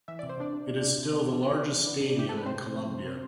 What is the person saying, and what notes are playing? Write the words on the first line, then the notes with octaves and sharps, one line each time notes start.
It is still the largest stadium in Colombia.
E3 E5
C3 D5
C5
C3 D4 D5
C3
C3
C3
C3
B3
E3
B3
C3
E3
B3
C3
E3 G4
C3 A4
B4
C3 C4 C5
C3
F3
C3
C3